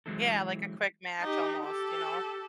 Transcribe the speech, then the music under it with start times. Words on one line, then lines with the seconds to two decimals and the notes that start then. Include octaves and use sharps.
Yeah, like a quick match almost, you know?
0.06 E3 F#3 G#3 C4 E4 A4
1.20 D#4 G4
1.64 G4 A4